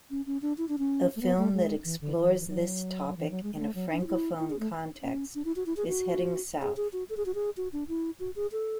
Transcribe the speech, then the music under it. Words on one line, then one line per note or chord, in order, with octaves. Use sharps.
A film that explores this topic in a Francophone context is "Heading South".
C#4
C#4
D4
E4
D4
C#4
A3
B3
A3
G#3
E3
D3
E3
E3
F#3
E3
F#3
G#3
G#3
A3
F#3
D4
F#4
E4
E4
G#4
A3
C#4
D4
E4
F#4
E4
G#4
F#4
G#4
G#4
F#4
A4
G#4
F#4
G#4
F#4
D4
E4
F#4
G#4
A4